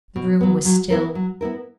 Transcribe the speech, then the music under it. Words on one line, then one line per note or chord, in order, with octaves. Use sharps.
The room was still.
B2
F#3 B3
F#3
B3 E4 A#4
F#3
B3 E4 A#4